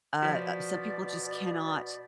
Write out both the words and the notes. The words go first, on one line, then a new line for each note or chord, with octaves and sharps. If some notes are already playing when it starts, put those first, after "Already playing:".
uh, some people just cannot
B2 F3 D5 G6 B6 E7